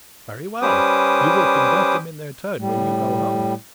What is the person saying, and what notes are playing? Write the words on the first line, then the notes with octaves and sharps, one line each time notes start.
"Very well; you will convert them in their turn when you go home."
G3 C#4 B4 C5 D6 D#6
A2 G3